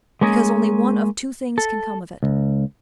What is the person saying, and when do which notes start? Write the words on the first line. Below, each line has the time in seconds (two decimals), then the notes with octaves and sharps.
"Because only one of two things can come of it."
0.21 G#3 A#3 C#4 G#4 A#4
1.58 A4
2.23 C#2